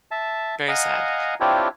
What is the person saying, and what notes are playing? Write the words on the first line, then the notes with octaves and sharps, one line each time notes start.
very sad.
E5 A5
D#5 F5 F#5 G#5 A#5
C4 D4 E4 F4 G4 C#5